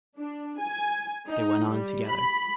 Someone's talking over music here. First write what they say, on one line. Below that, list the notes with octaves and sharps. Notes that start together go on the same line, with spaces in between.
They went on together.
D4
G#5
D#4
G3
B5